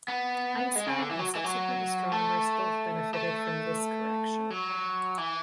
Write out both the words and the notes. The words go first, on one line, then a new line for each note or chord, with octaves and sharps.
Einstein and subsequent astronomers both benefitted from this correction.
B3
G#3
C#3
D3
E3
F#3
E3
F#3
A3
A3
F#3
E3